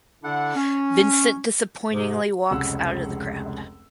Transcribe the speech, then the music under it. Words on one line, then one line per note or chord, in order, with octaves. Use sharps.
Vincent disappointingly walks out of the crowd.
D3 D4 E4 A4 F#5
C#4
G#2 C3
F1 C#2 G#3 C#4 F#5 E6